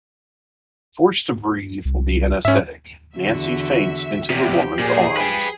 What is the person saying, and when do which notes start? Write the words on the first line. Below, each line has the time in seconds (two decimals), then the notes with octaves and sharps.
Forced to breathe the anesthetic, Nancy faints into the woman's arms.
1.85 C2
2.45 G#2 C#4 E5
3.16 E2 D3 F#4 E5
4.30 E2 C3 F3 G4
4.79 A#2 G#4 C7
5.17 B4 G5